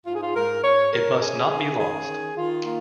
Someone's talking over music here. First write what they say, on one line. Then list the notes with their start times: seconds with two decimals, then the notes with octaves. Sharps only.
It must not be lost.
0.06 G#2 F4
0.14 G#4
0.22 F4
0.35 G#2 A#4
0.63 G#2 C#5
0.92 G#2 A#4
1.20 C#4 G#4
1.50 D#3 G#4
1.78 C#4 G#4
2.07 D#3
2.36 D#3 F4
2.65 A#3 F4